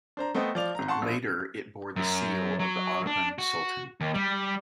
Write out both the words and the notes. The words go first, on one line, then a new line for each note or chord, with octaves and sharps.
Later, it bore the seal of the Ottoman sultan.
D4 C5 A#5
A3 B3 C5 D#5 G5
F3 D5 F7
G#1 A#5
F#5 A5 C6 C#6
A#1 B2
F#2
F#3
D4
F#4
D#2
G3